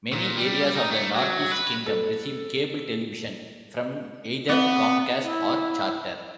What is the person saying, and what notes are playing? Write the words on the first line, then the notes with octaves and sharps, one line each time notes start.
Many areas of the Northeast Kingdom receive cable television from either Comcast or Charter.
A#2
G3
D#4
A3
F#3
B4
A4
B3 C4
E4